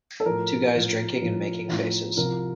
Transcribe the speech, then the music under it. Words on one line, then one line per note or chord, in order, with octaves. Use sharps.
Two guys drinking and making faces.
A4
A2 F3 A#4
A2 F3
A2 F3
A2 F3
C2 C3 F3 A#4